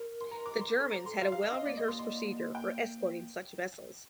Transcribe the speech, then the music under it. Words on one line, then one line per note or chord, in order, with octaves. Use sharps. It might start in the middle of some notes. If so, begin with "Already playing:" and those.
The Germans had a well-rehearsed procedure for escorting such vessels.
Already playing: A#4
C6
A#5
D6
C6
A4
C5 A#5
A4 C6
G4 F5
F4
G4 F5
D#5
D4
C4 D#5
A#3 D5
D#5
C6
C6
G5